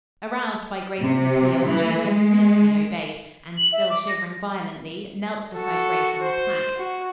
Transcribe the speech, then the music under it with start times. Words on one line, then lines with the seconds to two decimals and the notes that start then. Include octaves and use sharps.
Aroused by Grace's appeal, Julia meekly obeyed, and, still shivering violently, knelt beside Grace on the plank.
1.01 C3
1.67 E3
2.07 G#3
3.57 F#7
3.72 E5
3.90 D6
4.08 A#6
5.55 F#4 A4
6.21 C5
6.78 F#4